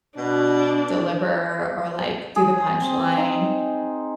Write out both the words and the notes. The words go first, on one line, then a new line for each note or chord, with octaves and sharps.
deliver or like, do the punchline.
B2 D4
G#4
C4
D#4